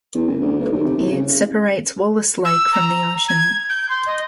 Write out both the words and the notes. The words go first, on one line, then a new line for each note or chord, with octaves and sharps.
It separates Wallis Lake from the ocean.
E2
F#1
D2
B1
D#2
C3
C2
C#3
E6
A#5
G#6
G6
C6
D#5